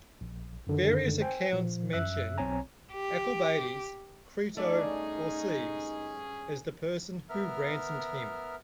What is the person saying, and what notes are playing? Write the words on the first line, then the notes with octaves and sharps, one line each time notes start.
Various accounts mention Alcibiades, Crito, or Cebes, as the person who ransomed him.
A#1
F#2 D3 D#3
C5 G5 G#5
A#2 F3
F#2 E5 E6 F#6
B1 C4 C#5 G#5 A#5
G4
G2 A3 C#4 D#4 G#4 D5
B3 A#4 E5 F6